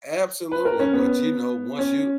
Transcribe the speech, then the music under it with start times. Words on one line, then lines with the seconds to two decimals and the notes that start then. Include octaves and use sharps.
Absolutely, but, you know, once you
0.52 B4
0.65 A#4
0.80 C#4
0.94 B3
1.79 C#4